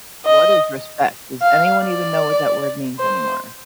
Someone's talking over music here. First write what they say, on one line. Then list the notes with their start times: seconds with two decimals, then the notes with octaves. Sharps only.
What is respect? Does anyone even know what that word means anymore?
0.25 D#5
1.42 F5
1.82 D5
2.99 C5